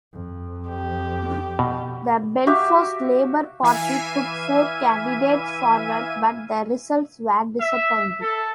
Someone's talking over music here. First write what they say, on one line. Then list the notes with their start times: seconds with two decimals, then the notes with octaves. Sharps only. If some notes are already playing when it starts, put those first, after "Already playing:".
The Belfast Labour Party put four candidates forward but the results were disappointing.
0.13 F2
0.69 G4
1.59 B2
2.47 F#4 G4 E5 F5
3.63 E3 E5 F5 G#5 D#7
7.60 E5
8.22 A4